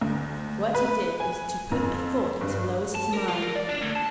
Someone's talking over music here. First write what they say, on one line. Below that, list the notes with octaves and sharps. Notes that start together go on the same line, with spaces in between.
What he did was to put a thought into Lois's mind.
D2
B4
G#5
F2
G2
A5
A#4
F4
A#4
D5
D4
D2
A5